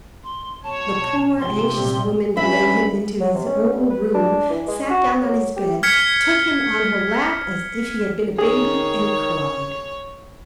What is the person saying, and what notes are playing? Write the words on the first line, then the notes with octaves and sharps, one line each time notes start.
The poor, anxious woman led him into his own room, sat down on his bed, took him on her lap as if he had been a baby, and cried.
C6
B2 C#5 A5
G#2 C3 F3 C6
B1 A#2 G3
G2 C#4 E5 B5
F#3
C3
C#4
G2
B4
D4
E3
G#3
F#4
F#3
G4
F6 G#6 B6 C#7
D#3 G#4 C#5